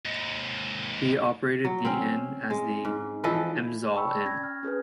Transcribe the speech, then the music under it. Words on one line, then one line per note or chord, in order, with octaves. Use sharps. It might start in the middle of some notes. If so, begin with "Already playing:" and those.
He operated the inn as the 'Elmsall Inn'.
D#2 G#2
F#3
C4 C#4
G#3
G#2
E3 F3 A4 D#5
G5 A5 B5 C#6 E6
D5
C#4 G#6 A#6
F6
C#4 G#4 A4 B4